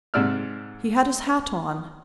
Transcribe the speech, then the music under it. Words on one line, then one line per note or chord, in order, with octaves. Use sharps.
He had his hat on.
G#2 C3 D5 E6 F6